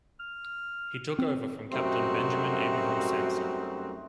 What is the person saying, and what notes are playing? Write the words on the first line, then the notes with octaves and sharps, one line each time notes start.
He took over from Captain Benjamin Abraham Samson.
F6
C4
F#2 G3 A3 C4 D#4 F#4